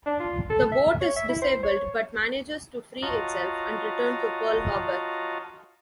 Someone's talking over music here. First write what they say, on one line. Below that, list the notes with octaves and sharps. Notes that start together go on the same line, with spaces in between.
The boat is disabled but manages to free itself and return to Pearl Harbor.
D4
F4
A4
E5
C#5
E5
E4
C5
C#5
F4 F#4 C#5 D#5 A5 A#5